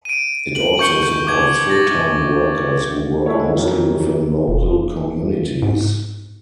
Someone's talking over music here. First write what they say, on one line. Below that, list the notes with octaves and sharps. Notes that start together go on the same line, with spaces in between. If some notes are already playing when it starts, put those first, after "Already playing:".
It also supports full-time workers who work mostly within local communities.
D7 D#7
F#7
C#6 G6 C#7 G7
G6
D6 G#6
A6 A#6
G#3 E4 A4 C#5
F2 D#3 E3 F#3
E1
G#2